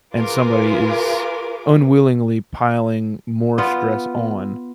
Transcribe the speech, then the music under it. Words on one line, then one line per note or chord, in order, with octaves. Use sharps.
and somebody is unwillingly piling more stress on,
F4 G#4 A#4 B4 D6
B3 F4